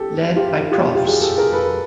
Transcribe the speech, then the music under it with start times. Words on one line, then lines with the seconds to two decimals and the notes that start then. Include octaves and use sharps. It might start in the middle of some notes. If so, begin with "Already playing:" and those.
Led by Profs.
Already playing: G4 A4
0.36 F4 G4
0.71 F4 G4
0.95 F4 G4
1.06 F#4 G#4
1.21 G4 A4
1.38 G#4 A#4
1.53 A4 B4